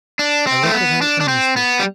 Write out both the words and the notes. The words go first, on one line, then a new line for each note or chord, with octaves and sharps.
I looked at her earnestly.
D4
C4
A3
B3
D4
D4
C4
B3
G3